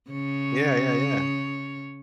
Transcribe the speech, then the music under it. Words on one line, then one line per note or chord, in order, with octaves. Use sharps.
Yeah, yeah, yeah.
C#3 C#5